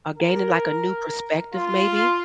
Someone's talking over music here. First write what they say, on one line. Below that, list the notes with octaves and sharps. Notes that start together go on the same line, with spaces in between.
or gaining, like, a new perspective maybe?
A#4
F4